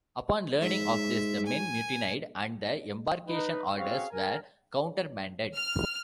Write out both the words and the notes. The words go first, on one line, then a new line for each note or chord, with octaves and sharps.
Upon learning of this, the men mutinied, and the embarkation orders were countermanded.
G#2 E5
G#5
D#4 B4
C4 C#4 F#4 G#4 F5 C#6
A#4 G#5
F6